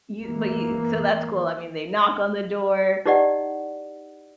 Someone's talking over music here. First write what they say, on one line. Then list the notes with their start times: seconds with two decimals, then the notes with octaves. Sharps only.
you but you so, that's cool, I mean they knock on the door
0.24 E3 A#3
3.06 D#4 E4 G4 D5 D#5 F#5